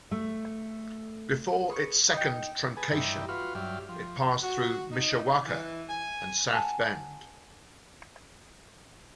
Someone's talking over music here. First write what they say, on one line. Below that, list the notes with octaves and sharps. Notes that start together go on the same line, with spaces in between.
Before its second truncation, it passed through Mishawaka and South Bend.
A3
G#4 B4 C#6
D#4 G5
G#4 B4 G#5 A5
G2 E3 D#4 G4 E5
F4 F#4 B4 F6
G2 F#3 G4 E5 F6
F3
F#4
D#4
E3
G#5
F#5 G#5 A5